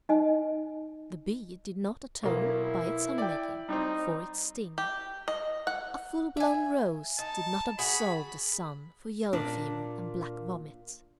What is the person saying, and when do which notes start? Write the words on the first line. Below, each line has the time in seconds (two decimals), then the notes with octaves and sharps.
The bee did not atone, by its honey-making, for its sting; a full-blown rose did not absolve the sun for yellow fever and black vomit.
0.09 D#4 D#5 G#5
2.23 B1 A#3 E4
3.18 D5 G5
3.69 G3 C4 D#4
4.78 G4
5.28 D#5
5.67 F#5
6.37 E5 G#5
7.19 D#4 A5
7.79 F#4 G#4 B5
9.33 A#2 D4